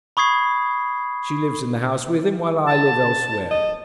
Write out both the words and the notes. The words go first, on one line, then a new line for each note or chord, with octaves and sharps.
She lives in the house with him, while I live elsewhere.
B5 C#6 D#6 G#6 C7
A5
D#5